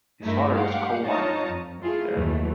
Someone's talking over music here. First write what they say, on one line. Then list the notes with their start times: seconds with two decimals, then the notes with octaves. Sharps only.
His father was a coal miner.
0.21 G2 A3 D#4 E4 A#4
0.54 G4 F5 F#5
1.04 D#4 F4 C#5 A5 A#5 D#6
1.48 F2
1.80 A3 E4 F4 G#4
2.11 D#2 E3 F#3 A3